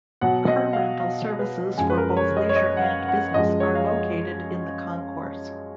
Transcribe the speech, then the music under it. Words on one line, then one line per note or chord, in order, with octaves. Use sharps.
Car rental services for both leisure and business are located in the concourse.
B2 F#3 F#5
D#5
F5
F5
B4
F#2 F3 G#3 G#5
B4
A#4
C#5
D#5
C#5
D#5
F#5
F5
F#5
F#2 F3 G#3 D#5
C#5
F5
D#5